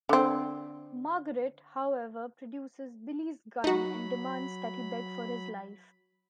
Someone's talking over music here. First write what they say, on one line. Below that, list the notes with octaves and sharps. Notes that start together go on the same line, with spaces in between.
Margaret, however, produces Billy's gun and demands that he beg for his life.
D3 C4
F#3 D#4 F#4 B5